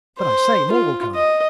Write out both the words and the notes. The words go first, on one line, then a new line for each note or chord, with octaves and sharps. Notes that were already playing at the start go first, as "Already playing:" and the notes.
But I say, more will come!
C5
F4
D#5